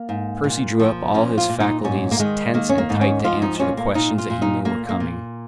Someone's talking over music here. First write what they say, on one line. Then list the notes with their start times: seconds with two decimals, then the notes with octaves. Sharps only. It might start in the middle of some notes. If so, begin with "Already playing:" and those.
Percy drew up all his faculties tense and tight to answer the questions that he knew were coming.
Already playing: A#3
0.09 G#2
0.44 A#2
0.79 F3
1.14 A#2 C#4
1.38 F4
1.49 A#2
1.60 D#4
1.84 G#2 C#4
2.11 A#3
2.19 D#3 G#3
2.54 D#3 A#3
2.69 C#4
2.78 A#3
2.89 G#2 D#4
3.01 C#4
3.25 F3 F4
3.42 D#4
3.60 A#2 C#4
3.77 A#3
3.95 A#2 D#4
4.18 F4
4.30 A#2
4.42 D#4
4.65 A#2 A#3
4.89 A#3
5.00 A#2